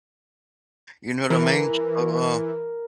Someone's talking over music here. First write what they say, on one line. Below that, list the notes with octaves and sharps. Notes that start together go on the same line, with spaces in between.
you know what I mean? So, uh,
E3 A#4